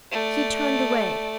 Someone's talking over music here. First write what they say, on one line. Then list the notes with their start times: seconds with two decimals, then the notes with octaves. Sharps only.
He turned away.
0.11 A3 D5